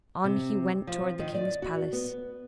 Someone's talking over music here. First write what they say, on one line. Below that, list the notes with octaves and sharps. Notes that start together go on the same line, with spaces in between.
On he went toward the king's palace.
C3
F3
D#3
D5
F#4
B3